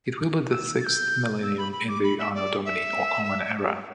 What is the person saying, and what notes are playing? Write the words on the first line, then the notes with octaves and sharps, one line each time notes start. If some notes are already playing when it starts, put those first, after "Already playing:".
It will be the sixth millennium in the Anno Domini or Common Era.
E6
A6
G6
E6
B5
B5
D6
B5
E5
D5
E5